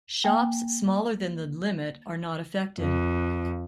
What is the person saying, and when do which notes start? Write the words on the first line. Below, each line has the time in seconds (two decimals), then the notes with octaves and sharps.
Shops smaller than the limit are not affected.
0.24 A#3 G5 G#5
2.79 F2